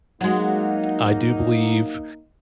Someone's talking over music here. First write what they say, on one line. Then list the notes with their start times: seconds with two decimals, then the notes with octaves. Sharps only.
I do believe,
0.21 F#3 G#3 A#3 D#4